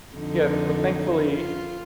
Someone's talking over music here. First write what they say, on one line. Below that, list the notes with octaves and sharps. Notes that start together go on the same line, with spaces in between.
Yeah, but, thankfully,
F2 D3 D#4
F4